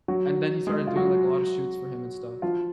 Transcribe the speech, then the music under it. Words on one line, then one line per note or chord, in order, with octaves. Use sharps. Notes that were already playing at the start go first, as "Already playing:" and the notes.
and then he started doing, like, a lot of shoots for him and stuff,
F#3 F#4
G#3 G#4
F4
F#3 F#4
F3 F4